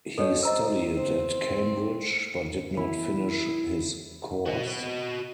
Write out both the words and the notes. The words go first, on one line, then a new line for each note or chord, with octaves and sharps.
He studied at Cambridge, but did not finish his course.
B2 A4 C#5
C4 D#5 A#5 E6
C4
E3 B3 E4 B5
F#4 D#5